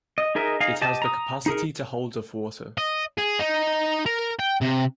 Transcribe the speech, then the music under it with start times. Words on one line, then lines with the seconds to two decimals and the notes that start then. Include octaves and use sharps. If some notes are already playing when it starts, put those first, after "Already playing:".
It has the capacity to hold of water.
0.18 D#5
0.35 D#4 G#4 A#4 D#5 E5
0.60 D#4 G#4 F5
0.81 G4 D#5 A5
1.02 A#5 D#6
1.46 D#4 G#4 A#4
2.78 D#5
3.18 G#4
3.40 D#4
4.06 A#4
4.39 G5
4.61 C3